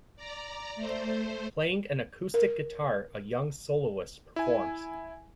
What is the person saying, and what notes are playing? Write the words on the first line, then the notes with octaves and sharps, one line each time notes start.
Playing an acoustic guitar, a young soloist performs.
D5 A#5
A3 C5
A#4
E4 G#5